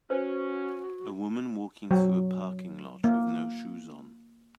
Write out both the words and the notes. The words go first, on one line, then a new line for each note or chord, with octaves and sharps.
A woman walking through a parking lot with no shoes on.
C#4 F#4 B4 C5
F#3
A#3